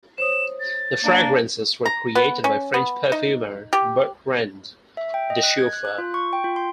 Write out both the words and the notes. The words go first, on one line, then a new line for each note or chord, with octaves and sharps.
The fragrances were created by French perfumer Bertrand Duchaufour.
C5 C#5 D#6 E7
A6
A#3 D4
A#5
B3
C#4
B3
D#4
G4
E5
G5
D#5
F#6
G#6
F#6
F#6
F4
C#6
G5
F4
C6